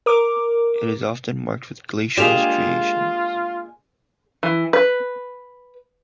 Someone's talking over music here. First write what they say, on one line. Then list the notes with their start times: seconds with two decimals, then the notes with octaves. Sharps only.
It is often marked with glacial striations.
0.06 A#4 D6
2.17 G#3 A#3 D4 F4 G4 G#4 E7 F7
4.43 E3
4.73 B4